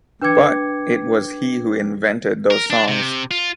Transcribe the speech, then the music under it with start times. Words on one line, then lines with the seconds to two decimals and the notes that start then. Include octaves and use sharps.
But It was he who invented those songs.
0.22 D4 B4 G5 D6 G#6 C#7
2.51 A#4
2.70 D4
2.88 C3
3.31 F4